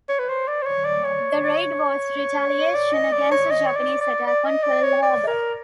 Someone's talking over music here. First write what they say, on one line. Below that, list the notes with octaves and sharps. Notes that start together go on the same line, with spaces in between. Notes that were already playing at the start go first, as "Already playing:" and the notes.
The raid was retaliation against the Japanese attack on Pearl Harbor.
C#5
B4
C5
D5
C5
C#5
D5
C#5
D5
D#5
D5
C#5
D#5
C#5
D5
D5
D5
D#5
D5
C#5
D5
A#4